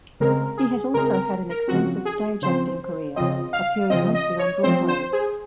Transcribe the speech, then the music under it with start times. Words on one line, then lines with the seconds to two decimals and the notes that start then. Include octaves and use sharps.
He has also had an extensive stage acting career, appearing mostly on Broadway.
0.20 C#3 G#3 C4 A#4
0.58 G#4
0.94 C#3 G#3 C4 A#4
1.13 A#4
1.50 A#4
1.68 C#3 F3 C4 F#4
2.05 G#4
2.42 C#3 F3 C4 C5
3.16 C#3 F3 C4 D#5
3.53 F5
3.90 C#3 F3 C4 D#5
4.15 D#5
4.39 C#5
4.63 F3 C4 C5
4.88 C5
5.13 G#4